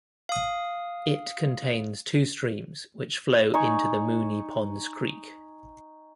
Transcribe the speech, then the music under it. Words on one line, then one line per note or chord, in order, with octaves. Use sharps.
It contains two streams which flow into the Moonee Ponds Creek.
F5 D#6
D#4 G#5 C#6